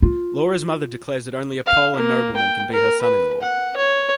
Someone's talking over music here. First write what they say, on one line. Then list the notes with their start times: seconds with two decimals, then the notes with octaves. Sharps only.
Laura's mother declares that only a Pole and nobleman can be her son-in-law.
0.02 F4
1.67 F5
1.96 A#3
2.36 G5
2.73 A#4
3.02 B4
3.42 F#5
3.77 C#5